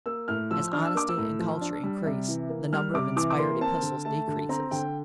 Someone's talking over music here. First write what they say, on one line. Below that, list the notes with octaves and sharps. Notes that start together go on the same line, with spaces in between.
As honesty and culture increase, the number of inspired epistles decreases.
A#3 E6
A2 F6
F3 E6
D4 F6
E6
A#3 D6
E6
A2
F3
D4
G3
C3
E3
A#3
G3 F6
C3 D6
E3 D6
D6
A#3 C6
C4 A5
D3
A3 A5
D3
C4 A#5
D3 G5